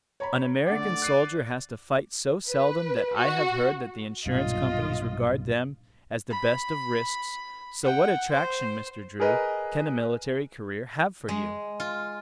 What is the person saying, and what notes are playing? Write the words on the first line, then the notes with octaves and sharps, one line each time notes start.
"An American soldier has to fight so seldom that I have heard that the insurance companies regard them as the best of risks, so what attraction, Mr. Dru, can a military career have for you?"
C#5 A#5 B5
D3 A3 D5 F#5
F#6 C7 D#7
B4
F#4
B1 G2 A#2 F4 D#5
B5
F#5 G5
C5
G#4 A#4 B4 D#5
G#3
F4